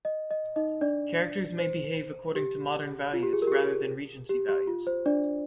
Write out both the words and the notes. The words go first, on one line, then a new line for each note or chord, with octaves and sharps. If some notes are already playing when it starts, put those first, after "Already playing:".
Characters may behave according to modern values, rather than Regency values.
D#5
D#5
D#4 D#5
D4 D5
C5
G4
F4
G4
G#4
A#4
G4
G#4
G4
G4
F4
C5
D4 D5